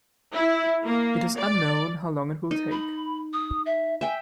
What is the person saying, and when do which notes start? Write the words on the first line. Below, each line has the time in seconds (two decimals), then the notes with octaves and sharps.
It is unknown how long it will take.
0.33 E4
0.84 A#3
1.38 D5
2.51 D#4
2.71 B5
3.33 D#6
3.66 E5
4.01 E5 G5 G#5